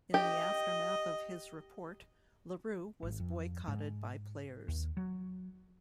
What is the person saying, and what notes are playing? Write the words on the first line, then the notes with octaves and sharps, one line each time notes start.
In the aftermath of his report, Larue was boycotted by players.
G4 D#5
G#1
F2
G#2
D#2
F#3